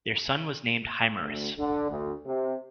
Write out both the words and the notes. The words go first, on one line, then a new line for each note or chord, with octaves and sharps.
Their son was named Himerus.
D2
D3
D2
C3